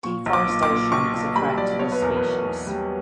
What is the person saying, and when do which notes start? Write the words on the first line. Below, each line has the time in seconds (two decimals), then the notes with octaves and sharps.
Deforestation is a threat to this species.
0.04 A#2 C#6
0.26 B1
0.33 D6
0.48 A#2
0.63 D6
0.70 A#2
0.92 B1 C#6
1.14 A#2
1.35 G3 B5
1.57 B1 D5
1.79 B2 C#5
1.92 B4
2.02 E2 A#4
2.17 B4
2.23 E2
2.45 E2
2.67 G3